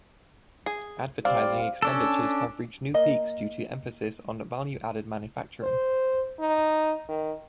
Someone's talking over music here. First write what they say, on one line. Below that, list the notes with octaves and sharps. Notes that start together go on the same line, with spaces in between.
Advertising expenditures have reached new peaks due to emphasis on value-added manufacturing.
G#4
G3 C4 D5 F5
C#4 D4 A4
A#3 D#5
C5
D#4
D#3